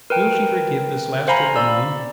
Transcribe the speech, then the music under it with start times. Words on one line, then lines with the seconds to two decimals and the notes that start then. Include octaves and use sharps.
Will she forgive this last trick of mine?
0.10 A#4 B4 G5
1.28 C5 F5 G#5 A#5 B5
1.56 D5 E6